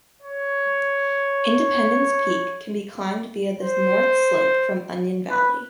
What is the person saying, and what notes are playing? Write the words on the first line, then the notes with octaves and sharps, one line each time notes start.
Independence Peak can be climbed via the north slope from Onion Valley.
C#5
C5
B4